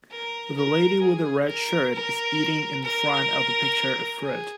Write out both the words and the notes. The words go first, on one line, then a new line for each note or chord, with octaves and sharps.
The lady with the red shirt is eating in front of the picture of fruit.
A#4
A#4
G#4
A#4
A#4
A#4
G#4